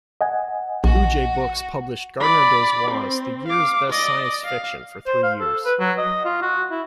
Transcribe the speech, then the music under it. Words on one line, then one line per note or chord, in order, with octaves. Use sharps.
Bluejay Books published Gardner Dozois's "The Year's Best Science Fiction" for three years.
D#5 F#5 G#5
A#1 F#4
D5 B5
C4
F5 D6
D5 D#5
F5
C5
F5
A4
B4
F#3
D#5
F4
F#4
E4